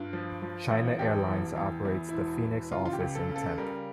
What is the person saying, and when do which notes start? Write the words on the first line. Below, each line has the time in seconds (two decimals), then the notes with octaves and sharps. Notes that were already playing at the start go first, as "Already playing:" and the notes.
China Airlines operates the Phoenix office in Tempe.
Already playing: G2 F4
0.13 F3
0.42 F3
0.70 A1
0.99 E1 G4
1.28 E2
1.56 E2
1.85 E2 E4
2.09 E4
2.15 E1
2.43 E3
2.72 C#3 F4
2.85 F4
2.93 G4
3.00 C#2
3.15 A4
3.29 C#3
3.36 A4
3.58 G3 A#4